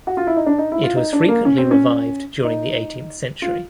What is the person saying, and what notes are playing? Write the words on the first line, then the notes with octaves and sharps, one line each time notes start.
It was frequently revived during the eighteenth century.
F#4
F4
E4
D#4
D4
D#4
E4
F4
D#4
D4
A#3
C#4
C4
C#4
D#4
F4